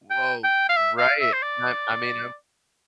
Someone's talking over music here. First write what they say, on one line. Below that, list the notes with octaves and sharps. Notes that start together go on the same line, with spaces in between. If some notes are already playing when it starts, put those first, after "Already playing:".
Woah! Right. I I mean, I'm
G5
G5
F5
E5
F5
E5
C5
D5